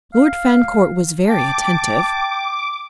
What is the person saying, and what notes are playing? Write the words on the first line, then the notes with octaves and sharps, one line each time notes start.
Lord Fancourt was very attentive.
F5
G5 A5 D6